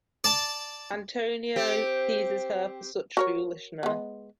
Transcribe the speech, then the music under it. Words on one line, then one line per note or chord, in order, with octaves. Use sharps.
Antonio teases her for such foolishness.
D5 A5
C4 G4
F#4 A#4 C#5
G#3 B3